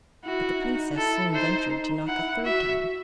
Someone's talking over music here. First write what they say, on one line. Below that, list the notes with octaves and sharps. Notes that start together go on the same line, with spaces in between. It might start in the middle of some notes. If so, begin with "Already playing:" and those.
But the princess soon ventured to knock a third time.
E4 F#4
D#4
E4 A4
D#4 C5
E4 F#5
F#4 E5